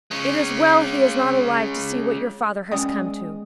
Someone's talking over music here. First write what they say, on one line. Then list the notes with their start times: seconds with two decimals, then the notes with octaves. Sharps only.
It is well he is not alive to see what your father has come to!
0.11 G#3 C#4
2.72 G#3 B3 C#4 D5 G5 D#6